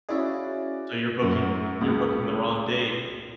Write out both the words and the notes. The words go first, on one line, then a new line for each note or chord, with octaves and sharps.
So, you're booking you're booking the wrong date.
C#4 E4 F#4 G#4 D5 F5
F#2
C#2